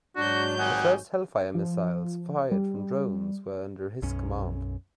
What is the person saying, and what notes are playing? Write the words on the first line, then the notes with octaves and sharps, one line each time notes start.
The first Hellfire missiles fired from drones were under his command.
G#2 F#3 D4 F#4 G6
G#1 G3 D#5 F#5 G#5
F3
G3
B1 F#2 C#4